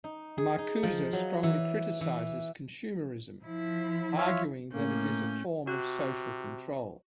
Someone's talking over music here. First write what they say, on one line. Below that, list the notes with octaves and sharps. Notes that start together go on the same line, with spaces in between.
Marcuse strongly criticizes consumerism, arguing that it is a form of social control.
D#4
G#4
D#4
F3
F#3
E3
E3
F3 E4
F4 C#5 E5
A2 A#3 C#4 G6
C3 F#4 F#6